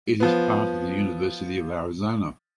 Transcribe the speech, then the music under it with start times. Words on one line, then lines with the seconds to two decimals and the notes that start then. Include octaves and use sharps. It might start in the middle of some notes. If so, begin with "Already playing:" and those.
It is part of the University of Arizona.
0.20 F3 B3